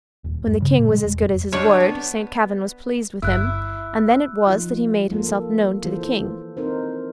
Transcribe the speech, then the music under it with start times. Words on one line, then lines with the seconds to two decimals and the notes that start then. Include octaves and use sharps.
When the king was as good as his word, Saint Kavin was pleased with him, and then it was that he made himself known to the king.
0.24 D#1
0.46 G2
0.62 C#3
0.79 A#2
0.91 G#3
1.05 E1
1.21 F1
1.53 G3 G#3 D4 C#5
1.80 B3
3.22 G1 E4 E6 F#6
4.47 F3 D#4 F4
5.12 A#3 F4 A4
5.84 E3 F4 A4 C5
6.57 C4 D#4 A#4 C5